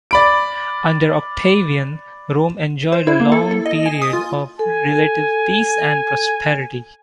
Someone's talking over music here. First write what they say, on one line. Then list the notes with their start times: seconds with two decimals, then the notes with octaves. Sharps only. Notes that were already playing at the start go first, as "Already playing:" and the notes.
Under Octavian, Rome enjoyed a long period of relative peace and prosperity.
0.11 D5 B5 D7
2.92 C5
3.07 E4
3.20 A#3
3.32 A4
3.51 A4
3.66 D#5
3.86 G#5
4.02 D#6
4.13 F4
4.59 A4 G#5